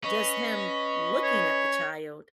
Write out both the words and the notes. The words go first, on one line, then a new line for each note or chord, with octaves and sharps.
Just him looking at the child
C#4 B4 D#5 B5
C#5